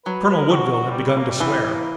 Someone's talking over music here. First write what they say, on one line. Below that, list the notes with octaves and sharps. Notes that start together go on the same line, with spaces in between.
Colonel Woodville had begun to swear.
F#3 B4
B4
A#4
G4
F#4
F#4
G3
G3
A#3
G3
E3
G3
A#3